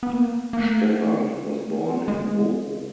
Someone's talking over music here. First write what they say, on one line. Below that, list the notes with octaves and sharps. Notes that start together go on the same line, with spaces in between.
Stephan was born in Bochum.
B3
A#3
A#3
A3
G#3